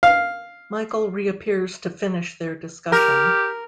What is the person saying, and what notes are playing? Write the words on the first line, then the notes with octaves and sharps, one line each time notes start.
Michael reappears to finish their discussion.
F5
G4 A#4